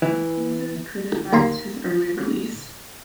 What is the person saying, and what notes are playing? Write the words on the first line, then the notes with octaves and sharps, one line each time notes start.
Accusers criticized his early release.
E3
D#2 A#3 A#5 C6